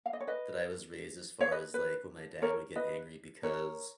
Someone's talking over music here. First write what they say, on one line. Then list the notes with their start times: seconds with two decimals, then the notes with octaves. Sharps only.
that I was raised as far as like when my dad would get angry because
0.06 F5
0.13 D#5
0.20 C#5
0.27 B4 D#5
1.41 C#5 F5
1.52 B4 D#5
1.74 B4
2.42 A#4 C#5
2.76 B4 D#5
3.43 A#4 C#5